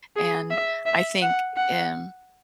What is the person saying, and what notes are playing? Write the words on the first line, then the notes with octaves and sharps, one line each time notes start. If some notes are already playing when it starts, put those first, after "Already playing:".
and I think, um,
G#4
E5
E5
F#5
F#5